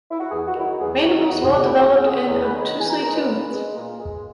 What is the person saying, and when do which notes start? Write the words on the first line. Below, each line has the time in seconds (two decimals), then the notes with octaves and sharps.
Mandibles well developed and obtusely toothed.
0.11 E4
0.20 F#4
0.31 E2 G#4
0.48 F#4
0.55 D#3 F#3 E4
0.63 F#4
0.80 E2 G#4
1.05 D#3 F#3 F#4
1.30 E2 F#4
1.42 G#4
1.54 C#3 G#3 F#4
1.66 E4
1.79 E2 F#4
2.03 C#3 G#3 G#4
2.28 E2
2.45 B4
2.53 D#3 G#3
2.62 C#5
2.78 E2 G#5
2.90 A#5
3.02 D#3 A#5
3.06 G#3
3.15 B4
3.27 A#2
3.52 G#3
3.76 A#2
4.01 G#3